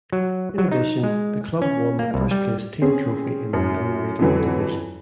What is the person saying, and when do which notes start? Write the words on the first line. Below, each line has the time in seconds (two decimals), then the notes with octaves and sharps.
In addition, the club won the first place team trophy in the unrated division.
0.13 F#3
0.58 F#3
0.72 D#4
1.03 G#3
1.62 C#4
1.99 A#3
2.14 C2
2.31 G3
2.82 C4 C#4 G#4
3.53 F#2
4.19 F2 D3 E3 F#3